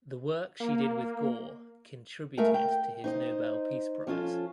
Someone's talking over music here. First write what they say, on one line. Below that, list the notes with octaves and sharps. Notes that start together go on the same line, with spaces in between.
The work she did with Gore contributed to his Nobel Peace Prize.
A#3
G#3 A3 A#4 E5 F5
G5
D#4 C5 D#5
F3 C#4 F4 A4